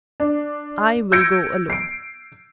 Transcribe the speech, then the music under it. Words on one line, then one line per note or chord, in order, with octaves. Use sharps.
"I will go alone."
D4
E6 G6 G#6 A#6 C#7 D7
C7 D7